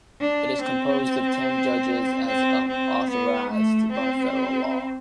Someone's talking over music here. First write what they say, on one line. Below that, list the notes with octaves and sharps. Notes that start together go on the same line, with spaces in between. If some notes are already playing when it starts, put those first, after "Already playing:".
It is composed of ten judges as authorized by federal law.
D4
C4
C4
C4
B3
A3
C4